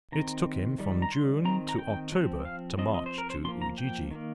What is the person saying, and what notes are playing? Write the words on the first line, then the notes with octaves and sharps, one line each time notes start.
It took him from June to October to march to Ujiji.
D#3 C4 A#5
D#3 G3
A#5
C6
D#3 C4 A#5
A#5
G5
F3 C4
F5
F3 C4 D#5
D#5
C5
A#4
C5
F3 A#3 C6
A#5
G5
D#3 A#3